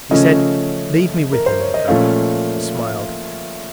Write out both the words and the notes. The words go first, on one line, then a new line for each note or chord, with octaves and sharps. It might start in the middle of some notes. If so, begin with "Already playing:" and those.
She said, "Leave me with him, Miko...." She smiled.
C#3 F3 A3 C#4 D#5
A#4
C5
C#5
D#5
A#2 F3 A3 C#4 F5